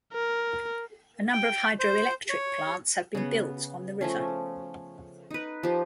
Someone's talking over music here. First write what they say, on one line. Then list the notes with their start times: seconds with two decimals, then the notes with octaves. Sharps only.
A number of hydroelectric plants have been built on the river.
0.13 A#4
1.33 G5
1.79 C5
2.30 C#5
3.15 C#3 B3
4.01 F3 A3 C#4
5.31 D#4 B4
5.63 F3 G4